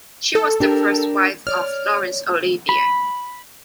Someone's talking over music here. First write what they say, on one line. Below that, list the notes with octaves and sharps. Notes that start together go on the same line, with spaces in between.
She was the first wife of Laurence Olivier.
A4
D4 G4 A#4
C#5 D5 F6
B5